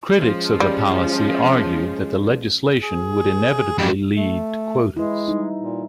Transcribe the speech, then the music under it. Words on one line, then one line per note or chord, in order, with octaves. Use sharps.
Critics of the policy argued that the legislation would inevitably lead to quotas.
F3 G#3 C#4
G3
G#4
F2 G#2 G3
A3
G#3 E4 B4
G3 D#4
A#2